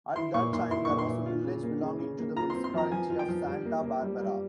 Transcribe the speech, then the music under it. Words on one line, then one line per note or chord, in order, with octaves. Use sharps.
At that time there was a village belonging to the municipality of Santa Barbara.
E4 C6
A#2 C#6
A#2 C6
E4 C6
A#2 C#6
C6
A#2
F4
C#3
A#3
C#3
C#3
A#3
F4 A#5
C6
C4
C6
F3 A#5
F3 G#5
F4
G5
F3
G3
A#3
A#3
G3
G3